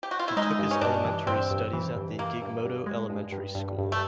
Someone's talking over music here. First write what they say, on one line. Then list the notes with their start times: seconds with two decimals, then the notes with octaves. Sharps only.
He took his elementary studies at the Gigmoto Elementary School.
0.03 G4
0.11 F#4
0.19 F4
0.28 E4
0.37 G#3 D#4
0.59 G2
0.71 C#4
0.81 G2 D4
1.05 E3
1.27 G2 C4
1.51 G2
1.73 E3
1.96 G2
2.19 E3 A#3
2.42 G2
2.64 G2
2.86 G#3
3.10 G2
3.32 G2
3.55 G2
3.78 G2
3.92 A3